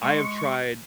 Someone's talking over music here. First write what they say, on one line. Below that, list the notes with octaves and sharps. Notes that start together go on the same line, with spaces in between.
I have tried
G#3 C#6